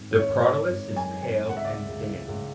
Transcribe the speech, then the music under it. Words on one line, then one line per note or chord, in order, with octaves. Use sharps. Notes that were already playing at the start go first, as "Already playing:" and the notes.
The prothallus is pale and thin.
Already playing: G#1
G#1
C#5
G#1
D5
E3
G#1
F#2
G#5
E3
G#5
G#1
C#2 F#5
E5
D5
C#2 E5
C#2
E3
C#2